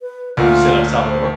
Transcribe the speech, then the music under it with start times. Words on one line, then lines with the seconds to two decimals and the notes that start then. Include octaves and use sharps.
You said El Salvador?
0.01 B4
0.37 D2 A#2 F4
1.08 C5